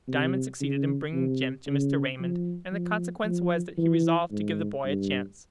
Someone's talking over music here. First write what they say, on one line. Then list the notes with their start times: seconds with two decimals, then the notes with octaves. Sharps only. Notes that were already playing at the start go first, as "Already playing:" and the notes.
Diamond succeeded in bringing Jim to Mr. Raymond, and the consequence was that he resolved to give the boy a chance.
0.08 C3
0.61 C#3
1.14 C3
1.67 C#3
2.20 F3
2.72 F3
3.25 F3
3.78 E3
4.31 G#2
4.85 G2